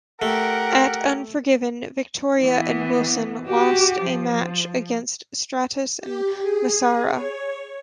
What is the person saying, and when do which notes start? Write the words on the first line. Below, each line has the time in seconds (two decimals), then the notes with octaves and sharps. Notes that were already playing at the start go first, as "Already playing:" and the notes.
At Unforgiven, Victoria and Wilson lost a match against Stratus and Massaro.
0.22 A3 G4 A#4 F#5
2.41 E3 B3
3.47 F#4 G4
4.02 F3
6.00 G4
6.42 G#4
7.11 C#5